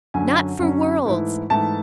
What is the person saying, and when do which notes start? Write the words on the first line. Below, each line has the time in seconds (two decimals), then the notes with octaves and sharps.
'Not for worlds!
0.14 F#2 D3 F#3 C#4 G#5
0.59 F#2 D3 F#3 C#4
1.05 G#2 E3 A3 E4
1.50 G#2 E3 A3 E4 A5